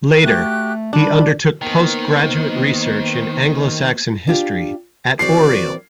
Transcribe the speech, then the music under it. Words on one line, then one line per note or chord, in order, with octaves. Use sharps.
Later, he undertook post-graduate research in Anglo-Saxon history at Oriel.
A3 F#4 G4 F#6
G3 D4 A5 B5
D#3 A#3 B3 C5
D4 F4 G4
A#2 E3 C4 F#4 D5 C7